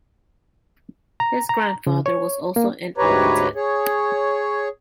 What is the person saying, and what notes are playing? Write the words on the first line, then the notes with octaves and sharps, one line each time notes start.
His grandfather was also an architect.
A#5
A#5
C#3
C#5
A#3
D2 G#2 G4 B4 C#5 A#5
G#4 C#5